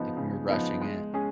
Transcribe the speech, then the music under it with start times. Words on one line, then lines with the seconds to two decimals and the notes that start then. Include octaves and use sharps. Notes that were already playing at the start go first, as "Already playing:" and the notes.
Like, we were rushing it.
Already playing: C#3 F3 B3 D#4
0.17 C#3
0.49 F3 B3 D#4
0.81 G#3
1.14 C#4 G#4